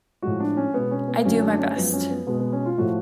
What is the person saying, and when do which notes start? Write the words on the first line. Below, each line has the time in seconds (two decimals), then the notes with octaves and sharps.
I do my best.
0.22 A2 F3 G#3 F#4
0.40 D4
0.57 C#4
0.74 B2 G#3 B3
0.91 C#4
1.08 B3
1.25 F#2 D3 F#3 A3 C#4
1.42 D4
1.59 C#4
1.76 F#2 F3 G#3 B3
1.93 C#4
2.10 B3
2.27 B2 G#3 B3
2.40 B3
2.53 C#4
2.65 F4
2.78 A2 F3 A3 F#4